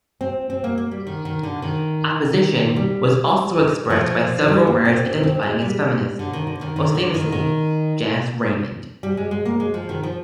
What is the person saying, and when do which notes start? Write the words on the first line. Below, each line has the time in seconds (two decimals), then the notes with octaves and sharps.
Opposition was also expressed by several writers identifying as feminist, most famously Janice Raymond.
0.21 C4
0.50 C4
0.64 A#3
0.78 A#3
0.91 G3
1.07 D#3
1.25 D#3
1.43 D3
1.62 D#3
2.76 G3
3.90 F3
4.48 G3
4.67 A#3
4.85 C4
5.05 C4
5.23 C4
5.43 G#3
5.62 G3
6.19 D3
6.33 D#3
6.47 D3
6.61 D#3
6.76 D#3
6.95 D3
7.14 D#3
7.32 D#3
9.03 G3
9.17 G#3
9.31 G#3
9.45 A#3
9.60 G#3
9.74 F3
9.89 D#3
10.03 F3